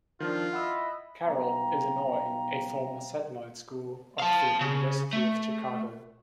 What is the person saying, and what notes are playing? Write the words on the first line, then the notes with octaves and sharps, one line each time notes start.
Carroll, Illinois, a former satellite school of the University of Chicago.
D#3 F3 D4 F4
E4 D#5 F#5 B5 E6
B1 B2 G3 F5 G5 A#5
F5 A5
C#3
A3